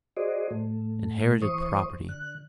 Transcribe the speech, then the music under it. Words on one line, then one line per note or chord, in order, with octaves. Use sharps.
Inherited property!
F#4 G#4 C5 D5 D#5
A2 A3
E3 C5 C#6 D#6
D3 F#6